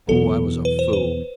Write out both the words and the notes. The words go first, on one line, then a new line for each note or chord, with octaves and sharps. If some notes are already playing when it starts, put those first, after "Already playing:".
Oh, I was a fool!
E2 B2 F#3 A4
B4
C5
B4